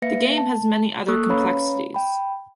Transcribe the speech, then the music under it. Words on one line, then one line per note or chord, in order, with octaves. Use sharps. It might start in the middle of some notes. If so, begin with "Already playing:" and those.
The game has many other complexities.
A#3 B4 E5 F5 A#6 C#7
A5
A#3 A4 C#6 D#6 E6 F#6
C#4 B4 C#5 F5 A#5 B5
G5 B5